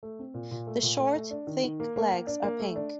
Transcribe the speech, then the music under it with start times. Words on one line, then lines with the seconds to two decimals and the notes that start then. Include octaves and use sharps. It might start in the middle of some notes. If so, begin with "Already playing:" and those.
The short, thick legs are pink.
0.03 A3
0.19 C4
0.34 A#2
0.51 A#2
0.67 A3
0.83 A#2
0.99 A3
1.15 A3
1.31 D4
1.47 D#3
1.63 D#3
1.80 A#3
1.96 A#3
2.12 A#3
2.27 D4
2.43 A#3
2.60 A3
2.76 D4